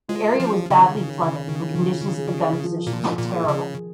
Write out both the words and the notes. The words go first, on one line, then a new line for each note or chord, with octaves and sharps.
The area was badly flooded and conditions at the gun positions were terrible.
G#3 F4
C#4
F3
C#4
C#3
D#3
D#3
D#3
D#3
D#3
F4
G#4
G#4
F3
A#2 F3
F3
A#2
G#4
C#3
G#4